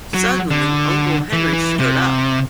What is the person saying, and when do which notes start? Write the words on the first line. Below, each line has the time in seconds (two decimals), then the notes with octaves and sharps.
Suddenly Uncle Henry stood up.
0.14 F#3
0.51 D3
1.33 E3
1.53 E3
1.80 C3